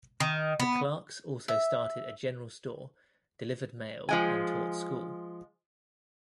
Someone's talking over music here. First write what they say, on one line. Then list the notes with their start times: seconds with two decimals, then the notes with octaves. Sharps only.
The Clarks also started a general store, delivered mail, and taught school.
0.20 D#3
0.60 B3
1.48 E5
4.09 F3 G#3 G#5